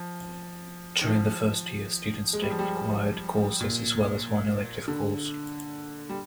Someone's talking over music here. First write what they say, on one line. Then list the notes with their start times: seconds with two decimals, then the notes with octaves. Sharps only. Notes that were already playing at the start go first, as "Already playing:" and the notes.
During the first year, students take required courses as well as one elective course.
Already playing: F3
1.01 D#3
1.06 F3
2.33 G#3
2.42 G3
2.50 F3
2.59 G3
3.61 A#2
4.88 D3
6.09 G3